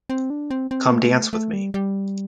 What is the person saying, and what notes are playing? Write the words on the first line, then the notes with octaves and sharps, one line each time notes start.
Come Dance with Me!
C4
D4
C4
C4
A3
A3
G3
G3